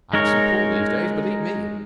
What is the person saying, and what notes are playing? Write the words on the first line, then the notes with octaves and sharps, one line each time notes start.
I have some pull these days, believe me.
G#3 D#4 A#4 C#5